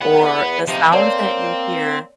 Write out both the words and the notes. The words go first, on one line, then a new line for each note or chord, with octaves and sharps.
or the sounds that you hear
E2 B3 F#5
C3 F3 D#4
A#3 C4 C#5 D5 A5